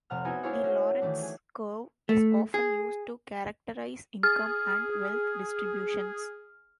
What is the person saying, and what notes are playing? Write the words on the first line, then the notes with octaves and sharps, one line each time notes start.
The Lorenz curve is often used to characterize income and wealth distributions.
F1 C3 F#5 F6
B3 C4 D#4 E4 F#4 G#5
D4 E4 G#4 C5 C#5 F5
A3 C#4 F#4
D#3 E3 A3 D4
G#4
A3
G#4
G#4 F6